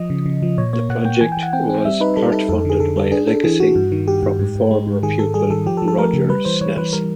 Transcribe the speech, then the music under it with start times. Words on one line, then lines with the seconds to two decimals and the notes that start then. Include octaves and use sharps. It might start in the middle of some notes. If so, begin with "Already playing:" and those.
The project was part-funded by a legacy from former pupil Roger Snelson.
Already playing: F3 D#5
0.10 C#3
0.26 C#3
0.43 F3
0.58 A#2 C#5
0.73 A#3 C#5
0.89 A#2 F#5
1.05 A#3 G5
1.21 E3 G#5
1.32 G5
1.37 E3
1.43 F#5
1.53 C4 G5
1.70 C4
1.85 G3 E5
2.00 D#4 B4
2.17 G3 A4
2.32 D#4 A4
2.49 F2 A4
2.60 A4
2.65 D3 G#4
2.80 D3 A4
2.96 G3 A4
3.12 D4 G#4
3.27 D4 A4
3.44 E3 G#4
3.60 E3 F#4
3.75 G2
3.92 D#3
4.08 G2 G4
4.23 G2
4.39 G#2
4.56 G#2
4.71 G#3
4.87 G#2
5.03 D#3 G#4
5.18 D#3 A4
5.34 G3 G#4
5.50 D#3 A4
5.66 F3 G4
5.77 A4
5.82 F3
5.88 A4
5.97 A3 A#4
6.13 C#3
6.29 G3 B4
6.45 E3 C5
6.61 E3 C#5
6.77 E3 B4
6.93 G3 A#4